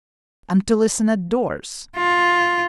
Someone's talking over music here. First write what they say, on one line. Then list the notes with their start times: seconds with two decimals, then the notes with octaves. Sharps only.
"And to listen at doors!"
1.96 F4